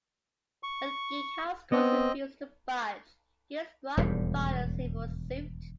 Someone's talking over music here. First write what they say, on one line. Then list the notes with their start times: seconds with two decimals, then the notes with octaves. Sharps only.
When Geek Housecalls refused to budge, Geek Squad filed civil suit.
0.63 C#6
1.72 B3 C4 D#5
3.97 E1 D#2 G#2 G3